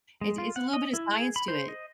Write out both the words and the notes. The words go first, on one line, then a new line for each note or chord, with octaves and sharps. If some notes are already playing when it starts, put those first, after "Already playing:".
It's it's a little bit of science to it.
G#3
F4
F#5
D#5
E4
G#4
B5
C5
D#5